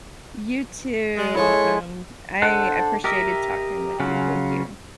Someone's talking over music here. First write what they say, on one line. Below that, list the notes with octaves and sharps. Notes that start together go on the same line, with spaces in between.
You too. Um, I appreciated talking with you. Thank you.
G#3
G#3 E4 A4 C#5
D4 A4 C5 F#5
G4 A#4 D#5 E5
C#3 F#3 C#4 F4